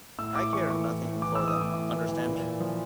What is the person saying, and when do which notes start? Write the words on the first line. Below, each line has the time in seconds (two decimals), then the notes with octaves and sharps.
I care nothing for them — understand me?
0.18 A2 E6
0.35 A2 D6
0.53 E3 C#6
0.70 E3 C#6
0.87 A2
1.05 A2
1.22 E3 D6
1.35 E3 E6
1.48 D#6
1.57 A2 D6
1.74 A2 D6
1.91 E3
2.09 E3
2.26 A#2
2.43 A#2
2.60 F3